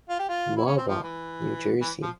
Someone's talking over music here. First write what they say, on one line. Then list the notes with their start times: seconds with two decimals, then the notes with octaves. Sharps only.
Mahwah, New Jersey.
0.09 F4
0.19 G4
0.29 F4
0.56 E4
0.66 C#4
0.77 C4
0.88 F3
1.03 E3
1.81 E3
2.02 F3